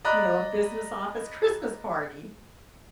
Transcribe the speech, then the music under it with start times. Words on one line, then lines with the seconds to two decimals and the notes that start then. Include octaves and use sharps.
You know, a business office Christmas party.
0.05 D5 D#5 A#5 B5 F#6